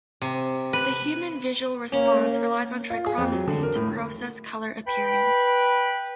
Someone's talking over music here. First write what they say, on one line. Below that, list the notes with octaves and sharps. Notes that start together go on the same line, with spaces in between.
The human visual response relies on trichromacy to process color appearance.
C3
B4
A#3 C#4 C#5
F4
G#4
F2
F#3
D3
A#4
A2
B4 G5 B5